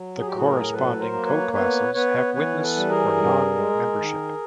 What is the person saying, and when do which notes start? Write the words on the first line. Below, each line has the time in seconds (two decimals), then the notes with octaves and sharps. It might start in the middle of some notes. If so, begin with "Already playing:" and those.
The corresponding co-classes have witness for non-membership.
Already playing: F#3
0.19 G#4
0.27 G4
0.32 A2 F#4 G#4
0.45 G#4 A#4
0.73 F#3 A4 B4
1.00 A#4 C5
1.13 A#3
1.27 B4 C#5
1.54 B3 B4 C#5
1.94 B3 B4 C#5
2.34 E3 B4 C#5
2.62 A4 B4
2.76 G3
2.89 G#4 A#4
3.17 G2
3.56 G#3
3.97 D#3